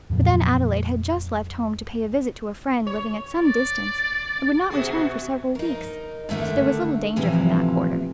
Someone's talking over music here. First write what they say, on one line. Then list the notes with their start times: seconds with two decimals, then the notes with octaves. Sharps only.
But then Adelaide had just left home to pay a visit to a friend living at some distance, and would not return for several weeks, so there was little danger from that quarter.
0.10 F2 A#2 F3 F#3
2.87 C#5
3.36 D5
4.70 B2 F#4 G#4
5.55 D#4 A#4
6.29 D3 D#3 A3 C#4 D4
7.16 A2 C3 E3 F3